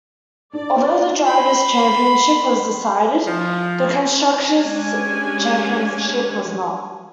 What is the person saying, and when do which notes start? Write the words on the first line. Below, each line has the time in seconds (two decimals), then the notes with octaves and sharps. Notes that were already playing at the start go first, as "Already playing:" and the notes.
Although the Drivers' Championship was decided, the Constructors' Championship was not.
0.53 D4 D5
1.25 B5 C6
3.27 F3
4.57 G#3 C#4 D4 G4 G#5